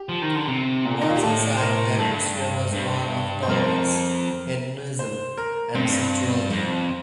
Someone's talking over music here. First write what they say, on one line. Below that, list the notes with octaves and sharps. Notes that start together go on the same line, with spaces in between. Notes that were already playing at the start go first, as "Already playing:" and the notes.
Once inside, the atmosphere was one of tolerance, hedonism, and sexuality.
Already playing: G4
F3
D#3
D3
C3
A#2
D#4
F4
G4
A2 A4
C5
A#4
G2 A4
G2
C5
F2 A#4
C5
A#4
G2 C4
A2
G2
F2